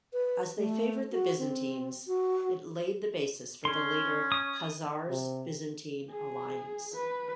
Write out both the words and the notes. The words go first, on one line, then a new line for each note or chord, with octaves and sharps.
As they favored the Byzantines, it laid the basis for the later Khazars-Byzantine alliance.
B4
A3
F#4
C4
F#4
C#4 C6
D#6
C3
G#4
B4